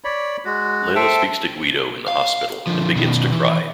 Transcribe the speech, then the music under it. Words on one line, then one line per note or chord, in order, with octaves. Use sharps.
Layla speaks to Guido in the hospital and begins to cry.
C#5 D5 B5
G#3 F#4
A4 C5 E5 G5
F5
D3 F3
B2 D#3
E3